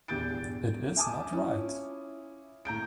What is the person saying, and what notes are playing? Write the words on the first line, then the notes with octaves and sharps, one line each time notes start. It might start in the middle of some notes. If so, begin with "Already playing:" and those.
It is not right!
A#1 E2 G4 G6 A6 D7
E5 G#5 A5 D6 D#6
C#4 E4 F4
A2 A#5 G6 D7